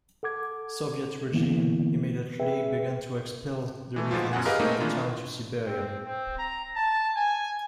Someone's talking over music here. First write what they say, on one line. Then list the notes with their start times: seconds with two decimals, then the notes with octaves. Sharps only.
Soviet regime immediately began to expel the residents of the town to Siberia.
0.23 A4 F#5 D6 G#6
1.32 D3 E3 A#3 B3 E4
2.40 G#4 B4 E5 G5
3.96 E3 A3
4.11 D2 G#2 F3 F4
4.32 F#2 B2 F#5 G#5
4.45 G4 G#4 A#4 B4 D#5 F5
4.60 A3 A#3 C4 D#4 D#5
4.81 D#3 E3 D4 F4
5.65 C4
6.06 C4
6.38 A#5
6.75 A5
7.16 G#5